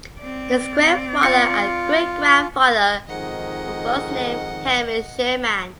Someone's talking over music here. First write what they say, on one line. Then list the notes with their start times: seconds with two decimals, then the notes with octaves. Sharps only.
His grandfather and great grandfather were both named Henry Sherman.
0.20 C4 D5
1.23 F4 C#7
3.07 F2 G#2 D#3 D#5 F#5